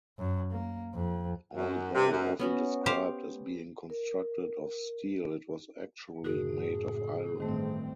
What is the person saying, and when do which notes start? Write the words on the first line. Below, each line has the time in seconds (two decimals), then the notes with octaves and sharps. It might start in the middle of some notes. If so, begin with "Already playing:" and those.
Although often described as being constructed of steel, it was actually made of iron.
0.18 F#2
0.51 A#3
0.94 F2
1.54 F#2
1.95 C3
2.11 F#2
2.40 B3 C#4 F#4
2.86 G4 C5 F5
3.90 A#4
6.24 F#1 A2 F#4 G#4 A#4
7.40 A1 G2 D#3 A3 C4